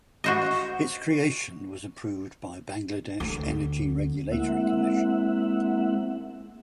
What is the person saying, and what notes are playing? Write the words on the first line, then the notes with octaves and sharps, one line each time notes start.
Its creation was approved by Bangladesh Energy Regulatory Commission.
F#4 C5 D#5
D2
G#3 A#3 C4 E4 E5 F#5